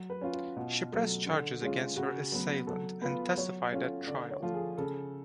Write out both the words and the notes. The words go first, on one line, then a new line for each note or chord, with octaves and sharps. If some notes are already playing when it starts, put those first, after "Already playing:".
She pressed charges against her assailant and testified at trial.
Already playing: F#3
B4
C#4 F4
F4
B2
F#3 A3
D3
G#3 C#4 F4
C#3 F#4
F#3 B3
F#3 A4
B3 F4 B4
F#3 C#5
A3 C#4 F4
D3 D5
C#5
F3 A3 F4
G#4
C#3 A4